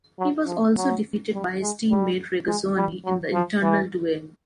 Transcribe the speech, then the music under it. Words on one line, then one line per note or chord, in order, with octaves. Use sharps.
He was also defeated by his teammate Regazzoni in the internal duel.
F#3
F3
F#3
G3
G#3
G3
G#3
G3
F#3
F3
E3